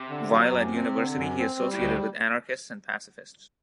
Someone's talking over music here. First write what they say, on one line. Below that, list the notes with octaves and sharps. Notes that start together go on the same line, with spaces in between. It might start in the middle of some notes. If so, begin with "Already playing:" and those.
While at university, he associated with anarchists and pacifists.
Already playing: C3
D3
F#3
F#2
C4
D3
F#2
C4
G3
A2
D2 B2